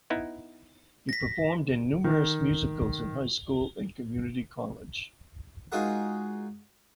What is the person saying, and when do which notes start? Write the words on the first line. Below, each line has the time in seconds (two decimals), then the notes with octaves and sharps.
He performed in numerous musicals in high school and community college.
0.10 B3 D#4 E4
1.09 A#6 B6
2.04 D#3
5.72 G#3 D#4 F4 F#4 A#4 F#5